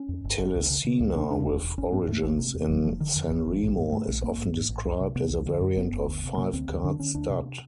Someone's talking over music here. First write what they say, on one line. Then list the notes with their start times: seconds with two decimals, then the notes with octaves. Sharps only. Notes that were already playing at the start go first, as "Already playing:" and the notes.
Telesina, with origins in Sanremo, is often described as a variant of five-card stud.
Already playing: C#4
0.09 F2
0.24 G1
0.39 G1
0.55 C#2
0.70 C#3
0.85 C#3
1.00 C#2
1.15 C3 D4
1.31 E2 D4
1.46 E1
1.63 E1
1.78 G#1 C#4
1.92 G#2 B3
2.07 G#2 A3
2.23 G#1
2.39 C3
2.54 E2
2.69 F1 F#3
2.84 F1 F3
3.00 D3 D#3
3.16 F2
3.31 G1 E3
3.46 G1
3.62 A#1
3.77 G#2
3.92 G#2 A3
4.08 A#1
4.23 A1 A#3
4.38 G#2
4.54 G#2
4.69 A1
4.85 C2
5.00 C3
5.16 C3 B3
5.30 C2
5.46 D3
5.61 F#2
5.76 F#1 B3
5.92 F#1
6.07 D2
6.23 C3
6.37 C3 A#3
6.53 D2 C4
6.69 D2
6.84 D3 D4
7.00 D3 C#4
7.15 D2 D4
7.30 C3